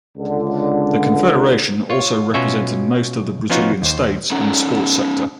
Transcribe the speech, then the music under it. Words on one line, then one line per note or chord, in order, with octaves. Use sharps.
The Confederation also represented most of the Brazilian states in the sports sector.
C#2 D3
F4 C#5
B2 C#4 F4 F#4 E5
F3 B3 C#4 D#4 F4 F#4
D#2 C5
C#4 D#4 A4 F#5 A#5